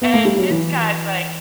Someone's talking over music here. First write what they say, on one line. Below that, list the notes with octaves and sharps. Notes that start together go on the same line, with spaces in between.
and this guy's, like,
B3
A3
G3
F#3
E3